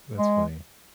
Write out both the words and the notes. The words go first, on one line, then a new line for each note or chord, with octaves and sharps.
That's funny.
G#3